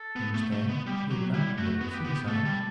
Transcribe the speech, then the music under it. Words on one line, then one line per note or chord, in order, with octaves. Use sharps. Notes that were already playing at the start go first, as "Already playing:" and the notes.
You understand she had not committed suicide.
Already playing: A4
B3
A3
A3
B3
G3 G4
F#3
G3 E4
A3 F#4
F#4
B3
G4
B3
G4
A3 A4
G3